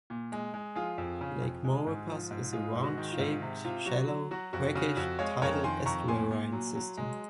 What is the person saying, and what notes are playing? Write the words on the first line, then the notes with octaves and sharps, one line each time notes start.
Lake Maurepas is a round-shaped, shallow, brackish tidal estuarine system.
A#2
G#3
G#3
F3 F4 G#4
F2
C#3
F2
G#3
G#2
F3
G#2
G#3 F4 G#4
G#2
F#4
D#3
F4
G#2
C3
C3 F4
F#3 F#4
F#3
F#3 F#4
F2 F#4
C#3 F#4
F2 F#4
G#3 C#5 F5
F2 A#4 C#5
D#3 G#5 C6
F2 A#5 C#6
A#2 G#5 C6
A#2
F#3
F#3
G#3